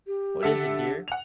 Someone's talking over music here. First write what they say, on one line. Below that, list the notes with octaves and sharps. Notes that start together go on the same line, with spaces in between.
"What is it, dear?"
G4
D3 A4 E5
F#5 F7